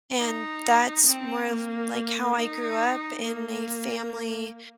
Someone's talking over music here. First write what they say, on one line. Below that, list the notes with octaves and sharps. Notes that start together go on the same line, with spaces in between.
And that's more of, like, how I grew up in a family
D#4
C4
A#3
D#4
A#3